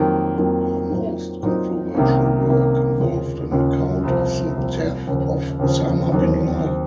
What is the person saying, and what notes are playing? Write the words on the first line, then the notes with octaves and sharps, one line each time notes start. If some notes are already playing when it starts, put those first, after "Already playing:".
Her most controversial work involved an account of the death of Osama bin Laden.
Already playing: F2 D#3 F#3 A#3
F2 D#3 F#3 A#3
A#2 F#3 C4 D#4
A#2 F#3 C4 D#4
C2 C3 D#3 A#3 C#4
C2 C3 D#3 A#3 C#4
D#2 C#3 G#3 C#4 F4
D#2 C#3 G#3 C#4 F4
C2 C3 F3
C2 C3 F3
D#2 C#3 F3
D#2 C#3 F3
D#2 D#3 F#3 C4
D#3 F#3 C4